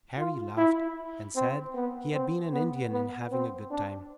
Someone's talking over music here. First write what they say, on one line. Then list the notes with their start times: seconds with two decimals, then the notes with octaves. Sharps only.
Harry laughed and said he had been an Indian in having a good time.
0.18 F4
0.58 E4
1.36 C4
1.74 B3
2.14 C4
2.53 B3
2.93 B3
3.32 C4
3.71 D4